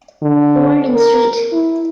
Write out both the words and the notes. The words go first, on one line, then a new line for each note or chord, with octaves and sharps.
Born in St.
D3
A#4
E4